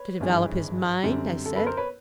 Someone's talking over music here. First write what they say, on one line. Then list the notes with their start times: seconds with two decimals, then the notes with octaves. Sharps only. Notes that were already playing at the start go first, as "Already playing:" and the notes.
"To develop his mind," I said.
Already playing: B4 C#5
0.20 G#1 G2 E3 G#3
1.03 F#2 D3 G3 C4
1.46 A4
1.56 A4 B4
1.66 A#4 C5
1.77 B4 C#5